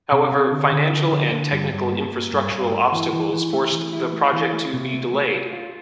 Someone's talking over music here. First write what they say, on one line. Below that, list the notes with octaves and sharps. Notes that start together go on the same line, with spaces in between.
However financial and technical infrastructural obstacles forced the project to be delayed.
C3
C4
D3
D3
F3
D3
D3
G2
G2
A#3
A#3
G2
G2
A3
E3
E3
E3
A3
E3
E4
A3
E3
A3
C3
A3
A3
F4
F4